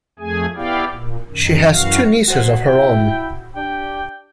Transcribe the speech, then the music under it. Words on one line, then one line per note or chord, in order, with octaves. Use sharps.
She has two nieces of her own.
F2 A3 G#4 G#5
B3 E4 G4 D5 F5 G5
A#2
F#2 D#3
F#2 E3 F#4 F5
F#4 C5 F#5
E4 G5
D4 G4 G5